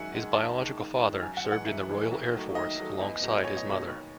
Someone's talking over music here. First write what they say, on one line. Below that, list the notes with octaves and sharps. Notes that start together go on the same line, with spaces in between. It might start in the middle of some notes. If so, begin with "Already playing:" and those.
His biological father served in the Royal Air Force alongside his mother.
Already playing: F#2 D#3 G#3 E5 F#5 G#5
D#3 G#3
D#2 A5
D#3 G#3
D#2
D#3 G#3
F#2 G#5
F#5
E3 G#3
F#5
F#2 E5
E3 G#3
D#2
D#3 F#3 A3
D#2 D#5
D#3 F#3 A3
E2
B2 F#3 A3
E2 C#5
D#5
B2 F#3 A3 C#5
D#2